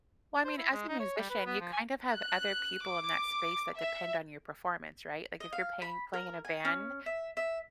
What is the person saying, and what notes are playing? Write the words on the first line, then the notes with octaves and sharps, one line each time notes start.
Well, I mean, as a musician, you kind of have other people in that space that depend on your performance, right? Like, if you're paying playing in a band
C5
E4
G#3
D#4
C#5
G3
B4
B3
F3
G#5
F#6
D6
E5
D#5
F5
B5
A#4
G#5
C#4
E5
E5